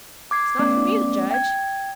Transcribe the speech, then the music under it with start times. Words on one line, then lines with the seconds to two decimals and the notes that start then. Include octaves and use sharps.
It's not for me to judge.
0.31 D6 G#6 C7
0.59 A3 B3 C#4 D5 D6
1.31 G5 G#6